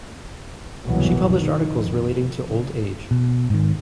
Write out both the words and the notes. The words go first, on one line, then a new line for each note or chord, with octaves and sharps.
She published articles relating to old age.
C2 F2 G#2 B2 E3 F#3
D#3 F3
F2
C#3
B2
G#2 D#3